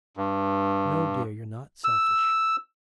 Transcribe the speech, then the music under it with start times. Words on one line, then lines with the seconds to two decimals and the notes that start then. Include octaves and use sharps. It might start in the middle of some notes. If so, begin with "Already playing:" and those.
'No, dear, you're not selfish....
0.17 G2
1.84 E6